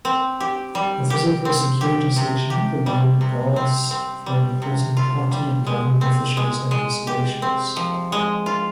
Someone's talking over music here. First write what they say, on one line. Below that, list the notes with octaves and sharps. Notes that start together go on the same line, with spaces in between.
The physical security section provided guards for important party and government officials and installations.
C4
G4
G3
G4
C4
G4
C3
G4
G3
C3
C4
C4
G3
C3
F4
G3
G#3
C4
G#3
G#3
G4
C4
F3
G#3
F4